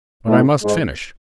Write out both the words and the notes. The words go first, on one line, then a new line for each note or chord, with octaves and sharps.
But I must finish.
A2 A3
G#2 G#3